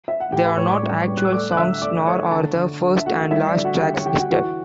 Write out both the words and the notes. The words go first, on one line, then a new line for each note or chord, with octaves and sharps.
They are not actual songs, nor are the first and last tracks listed.
E5
F#5
A2 G4 G5
B4 B5
A2 C#5 C#6
D5 D6
G3
G3
F#6
E6
A3 D5 D6
F#6
D3 E5 E6
A3 D5 D6
A3 C#5 C#6
D3 A4 A5
D3
D3
E5
A3 F#4 F#5
G3 E4 E5
D5
D3
F#4 F#5
D3 G4 G5
C#5 C#6
D3 G4 G5
F#4 F#5
E3 F#4 F#5